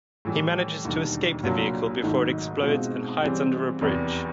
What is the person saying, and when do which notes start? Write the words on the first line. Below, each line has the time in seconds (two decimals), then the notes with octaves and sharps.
He manages to escape the vehicle before it explodes and hides under a bridge.
0.25 A2 E3 G3
0.85 E1 D#2 D3 G3
1.43 C2 A#2 F#3 A#3 D4
2.03 G#1 G#2 D#3 F#3 A3
2.62 B2 G#3 C4 F4
3.22 C#3 E3 G3 C4
3.81 F1 E2 C3